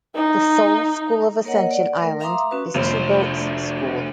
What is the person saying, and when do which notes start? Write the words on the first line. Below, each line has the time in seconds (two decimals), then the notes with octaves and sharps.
The sole school of Ascension Island is Two Boats School.
0.16 D#4
1.45 A#3 A#4 C#5 D#5 F#5
1.67 D5 F#5
2.01 A3 A#4
2.20 E5 F5 A#5 C6 D6 D#6
2.51 C#4 F#4 B4
2.75 F1 D2 C5